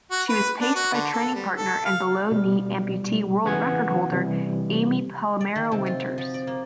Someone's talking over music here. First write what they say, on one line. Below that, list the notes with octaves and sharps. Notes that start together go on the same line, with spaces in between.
She was paced by training partner and below-knee amputee world record holder Amy Palmiero-Winters.
F#4
B4
D4
F#4
D3
A4
G3
A4
F5
B2 G3
C#3 E3 B3 F#5 G#5 G#6
C3 E3 G3
D5
D#3
C3
F4
F#4
F3
D5
A#3